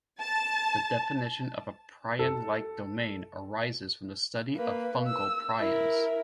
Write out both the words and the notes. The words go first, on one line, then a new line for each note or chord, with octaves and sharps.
The definition of a prion-like domain arises from the study of fungal prions.
A5
A4
A#3 B4
E6
E4 A#4